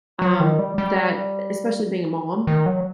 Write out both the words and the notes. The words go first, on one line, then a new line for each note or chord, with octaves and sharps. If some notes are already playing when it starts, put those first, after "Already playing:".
um, that, e especially being a mom,
F#3
D#3
G3
G3
D#3
F#3